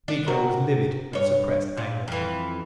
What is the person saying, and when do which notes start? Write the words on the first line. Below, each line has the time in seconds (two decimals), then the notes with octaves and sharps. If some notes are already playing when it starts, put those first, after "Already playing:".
Miko was livid with suppressed anger.
0.08 D4
0.28 C3 F#4 A#4
1.13 G2 C#5
1.77 A#2
2.08 F2 E3